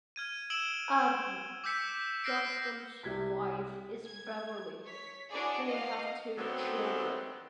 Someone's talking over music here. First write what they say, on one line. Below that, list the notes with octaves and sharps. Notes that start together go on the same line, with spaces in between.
Adm. Johnston's wife is Beverly, they have two children.
F6 G#6 D#7
E6 D7 E7 F#7 G7
D6 E6 G6 B6 C#7
F6 G6 A#6 C7 D7
C2 C3 G#6 B6
G#6
C#5 B6
D4 E4 F#4 G#4 C#5 D5
D#5 F5 F#5 C7
D3 D#3 F#3 A3 B3 C4